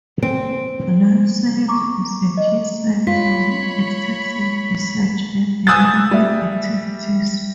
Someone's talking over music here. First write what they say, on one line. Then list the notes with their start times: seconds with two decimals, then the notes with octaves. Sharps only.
Life science is a key sector with extensive research and development activities.
0.23 C4 D7
1.68 A#5 C#6 D6
2.37 D#5
3.07 F4 C#5 B5 B6
5.67 G#5 D#6 E6 F#6 G6 A6
6.11 G3 E5